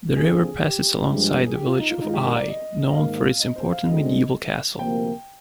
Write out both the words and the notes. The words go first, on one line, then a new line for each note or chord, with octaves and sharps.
The river passes alongside the village of Eye, known for its important medieval castle.
D#2 D3 F3 C4 G#4
G4
G2 F3 G#3
C5
A#4
G#4
G4
F4
D#4
F4
G2 D#3 G#3 D#4
F4
G4
A#4
D5
D#5
D#5
G#2 D#3 A#3 F5
F5
D#5
C5
F5
D2 D3 G#3 C4 D#5
D2 C3 F3 A#3 G5